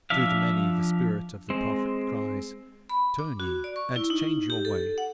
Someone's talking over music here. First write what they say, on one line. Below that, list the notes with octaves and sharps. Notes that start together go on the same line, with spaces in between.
To the many, the spirit of the prophet cries, 'Turn ye, and change your way!
F3 D4 E5 F5
G#3 C4
B5
D6
F#4
D5
C#6
E4
D#4
G4
A4
F#5